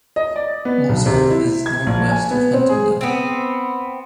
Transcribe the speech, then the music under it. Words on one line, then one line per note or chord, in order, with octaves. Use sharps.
Molesworth is north-west of Huntingdon.
D#5
D5
B3
B1
C3
E4
G#6
A#1
G#5
B3
C4
G#4
B3 C4